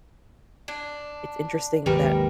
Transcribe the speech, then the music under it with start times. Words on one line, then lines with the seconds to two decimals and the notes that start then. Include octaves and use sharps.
it's interesting that
0.68 D4
1.86 G#1 D#2 G#2 G3 A#4 B4